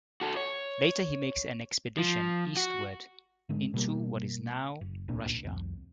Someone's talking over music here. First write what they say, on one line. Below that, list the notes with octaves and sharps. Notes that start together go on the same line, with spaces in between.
Later, he makes an expedition eastward into what is now Russia.
F#4 A4
C#5
F3
F#4
G#2 D3 G#3
B2 G3 A#3
F#1
D1 C2 A#2 D4
C2 F2